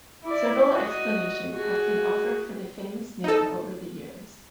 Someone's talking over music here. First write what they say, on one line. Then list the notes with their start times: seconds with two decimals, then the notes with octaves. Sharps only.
Several explanations have been offered for the famous name over the years.
0.24 E4 D5
0.74 F#4 D#5
1.53 F#4 G#4
3.24 D#4 A4